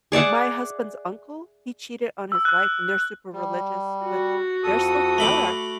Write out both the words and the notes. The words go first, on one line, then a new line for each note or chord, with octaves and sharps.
My husband's uncle, he cheated on his wife, and they're super religious, but they're still together.
G#4 D5 E5 F#5
E6
F#6
G3
F#4
F2 A4 D#6
A3 B5 D6